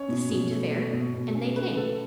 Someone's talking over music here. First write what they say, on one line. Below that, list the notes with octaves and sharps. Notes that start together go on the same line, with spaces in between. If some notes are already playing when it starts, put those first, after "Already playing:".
This seemed fair, and they came.
Already playing: C#4 C#5
B2
B2
A3
A3
B2
B2
C#4
A3 B4
A3 A4